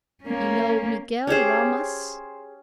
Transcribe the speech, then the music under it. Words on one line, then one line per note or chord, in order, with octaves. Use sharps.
You know Miguel Ramas?
A#3 C#4
C#4 G4 G#4 C5